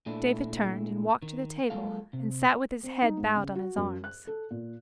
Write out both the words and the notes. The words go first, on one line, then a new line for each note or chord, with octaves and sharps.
David turned and walked to the table and sat with his head bowed on his arms.
A#2 A3 D4 E4
D#3
F#3 G#3 A#3 F4 A4 F5
C3
C4
D#4
G#2
C#3
F#4
F#2
F#6
A4
A#2